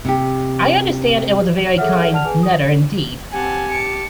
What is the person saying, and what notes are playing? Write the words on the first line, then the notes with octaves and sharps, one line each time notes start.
I understand it was a very kind letter indeed.
C3 G4
G#4 A4 C#5 E5 F#5 F6
D5 F#5 A5 F6 F7
G#4 B4 G#5
D#6
C4 G4 F#5 G#5 A5
A5 D6 C#7